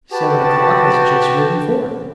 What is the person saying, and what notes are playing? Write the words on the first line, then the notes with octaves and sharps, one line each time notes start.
Seven O'clock has just ridden forth.
F#4 G4 B4 A5